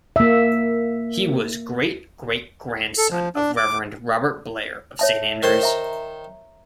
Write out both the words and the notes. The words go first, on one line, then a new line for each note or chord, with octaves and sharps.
He was great great grandson of Reverend Robert Blair of Saint Andrews.
A#3 E5
A4
F3
D4
D6
C#5 E5 A5
D#3 C5 C6
E5 A#5